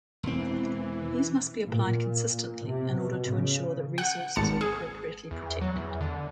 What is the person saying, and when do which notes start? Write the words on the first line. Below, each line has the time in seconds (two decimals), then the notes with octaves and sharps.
These must be applied consistently in order to ensure that resources are appropriately protected.
0.23 E1 E3 C4
1.67 A#2
2.66 C3
2.97 B2
3.29 C#3
3.98 F#5
4.35 G#1 A5 C#7
4.61 G#4
5.31 E2
5.61 F#3
5.76 E2
6.01 D3